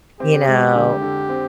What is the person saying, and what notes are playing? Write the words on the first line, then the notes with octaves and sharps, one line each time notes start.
you know,
C4 G4
G#3
D3
D3
C4